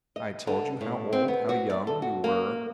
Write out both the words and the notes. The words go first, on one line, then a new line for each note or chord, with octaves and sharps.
I told you how old--how young--we were....
D#5
D3
A2
C4
B3
F#4
D5
A4
F#4
A#3